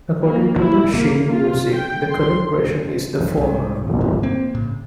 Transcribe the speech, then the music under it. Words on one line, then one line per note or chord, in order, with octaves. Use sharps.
According to the sheet music the correct version is the former.
A#3
E4
A#3
F4
G5
C6
C2 G#2
G#1
A#3 C4
A2 C#3